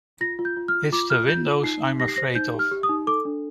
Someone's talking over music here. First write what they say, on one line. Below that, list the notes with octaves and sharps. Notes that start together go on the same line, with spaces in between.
It's the windows I'm afraid of.
F4 A#6
F4
G6
F4
F6
F4
F4 D6
F4 F6
F4 G6
F4
D#4 C7
D#4
G4 A#6
C7
C5 A#6
D#4 G6
G4
F6
G4
D#6
D#4
A4 D6
D4